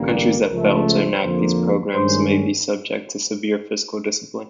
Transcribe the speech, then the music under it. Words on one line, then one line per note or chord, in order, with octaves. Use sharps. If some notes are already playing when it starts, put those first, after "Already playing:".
Countries that fail to enact these programmes may be subject to severe fiscal discipline.
Already playing: A1 G2 D3 G3 A#3
A#4
C#2 C#3 F3 A3
C5
F2 D3 F3 A#3
G2 D#3 G#3 C#4 C5